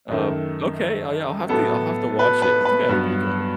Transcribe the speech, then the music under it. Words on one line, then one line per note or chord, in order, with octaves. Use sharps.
uh, okay, I yeah, I'll have to I'll have to watch it. I think I have peacock.
F#2 D#3 A3
A2 F#3 B3 A4
B4
B4
B4
G2 F#3 B3